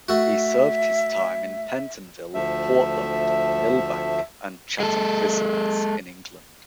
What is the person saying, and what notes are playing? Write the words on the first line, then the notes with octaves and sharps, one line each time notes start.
He served his time in Pentonville, Portland, Millbank and Chatham prisons in England.
A3 F#4 E5
D2 F3 A3 E5
G#3 A4